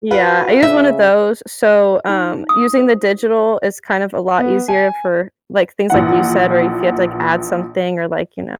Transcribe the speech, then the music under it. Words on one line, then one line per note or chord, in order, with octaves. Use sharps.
Yeah, I use one of those, so, um, using the digital is kind of a lot easier for, like, things like you said, where if you have to, like, add something or, like, you know,
F4 F#4 B4
C#3 E5
D#4
D#6
C5
B3
G#5
A#1 E3 F#5